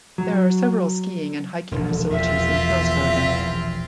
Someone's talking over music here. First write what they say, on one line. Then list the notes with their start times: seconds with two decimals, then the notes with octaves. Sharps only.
There are several skiing and hiking facilities in Kilsbergen.
0.18 F#3
1.71 E1 A#1 D3
2.11 E2 C4 F4 E5